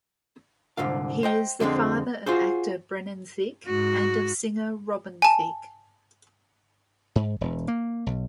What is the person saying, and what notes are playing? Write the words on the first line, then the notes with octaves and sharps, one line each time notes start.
He is the father of actor Brennan Thicke, and of singer Robin Thicke.
C2 G#2 D3 F5
C5 D#5 G5
F2 D3 G#3 C4
F4 F#4 G#4 C5
G#2 F#4
G#5 A5
G#2
E1
A#3
B1